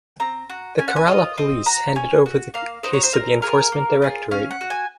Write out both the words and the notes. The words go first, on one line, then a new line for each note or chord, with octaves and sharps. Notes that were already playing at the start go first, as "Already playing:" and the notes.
The Kerala Police handed over the case to Enforcement Directorate.
C4 A#5
F#4
C#4 G#5
F#5
G#5
F4 G#4 D#5
C4 D#5
F#4 A#5
C#4 G#5
F#4
A#3 F5
D#4 F#4 C5
C#5
C5
C4 A#4
F4 G#4 A#4
A#3
F4 G#4
C#4 F5
F#5
F#4
G#5